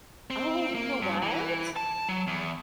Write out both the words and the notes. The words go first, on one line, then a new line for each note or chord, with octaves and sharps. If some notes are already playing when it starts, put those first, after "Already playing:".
Oh, you know what?
C4
A#3
G2
E3
A5
F#3
E2